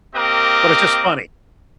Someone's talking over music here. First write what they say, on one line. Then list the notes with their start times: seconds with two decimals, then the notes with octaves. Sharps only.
But it's just funny.
0.15 A#3 C4 G4 A#4 D#5 D6